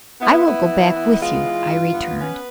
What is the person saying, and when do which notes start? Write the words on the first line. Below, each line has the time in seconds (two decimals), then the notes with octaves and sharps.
"I will go back with you," I returned.
0.21 B3 E4
0.45 B3
0.70 E3
0.95 B3
1.20 G#3 F4
1.44 E3
1.69 G2
1.94 B3
2.18 C#4 B4